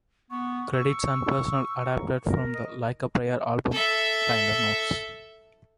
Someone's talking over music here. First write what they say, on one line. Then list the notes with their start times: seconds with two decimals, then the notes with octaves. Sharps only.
Credits and personnel adapted from "Like a Prayer" album liner notes.
0.30 B3 C#6
0.73 C#6 E6
1.95 A#5
2.23 A#4
2.54 D#5
3.72 A4 E5